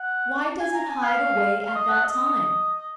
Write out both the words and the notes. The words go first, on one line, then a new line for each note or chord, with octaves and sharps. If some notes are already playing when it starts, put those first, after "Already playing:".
Why does it hide away at that time?
Already playing: F#5
G#5
A#5
G#5
F5
F5
D#5
F#5
D#5
D#5